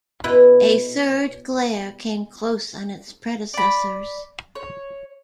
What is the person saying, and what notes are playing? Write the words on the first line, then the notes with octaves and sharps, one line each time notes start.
A third glare came close on its predecessors.
B2 E4 B4
D5 B5
C#5